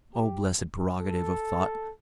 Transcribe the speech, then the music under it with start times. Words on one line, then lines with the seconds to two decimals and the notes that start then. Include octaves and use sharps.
O blessed prerogative of thought!
0.14 G4
1.00 A4